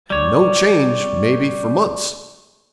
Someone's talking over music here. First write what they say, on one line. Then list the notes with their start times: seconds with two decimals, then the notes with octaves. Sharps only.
And no change, maybe, for months.
0.10 G3 C#5 D5 D6